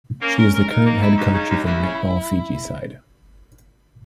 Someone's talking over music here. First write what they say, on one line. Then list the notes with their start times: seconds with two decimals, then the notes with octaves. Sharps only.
She is the current head coach of the Netball Fiji side.
0.22 A#3 C#4
0.38 A#4
0.54 A#4
0.69 D#4 A#4
0.86 A#3
1.02 E4
1.17 D#2
1.33 C#3
1.50 D#2
1.65 D#2 E4
1.82 C#3